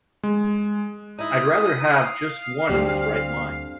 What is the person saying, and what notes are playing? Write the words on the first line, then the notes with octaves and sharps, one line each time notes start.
I’d rather have just one in his right mind.
G#3
D#4 E4 D#6
F5
D2 G3 C4